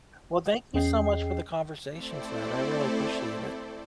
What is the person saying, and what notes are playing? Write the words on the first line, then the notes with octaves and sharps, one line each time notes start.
Well, thank you so much for the conversation tonight, I really appreciate it.
E2 C#4 G#4 D#5 G5 C7
A3 C4 E4 A4 C5 D5